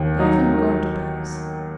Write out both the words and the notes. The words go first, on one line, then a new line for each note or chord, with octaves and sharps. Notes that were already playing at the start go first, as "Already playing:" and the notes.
They haven't gone to Paris.
Already playing: D#2
F#3 D#4
D#3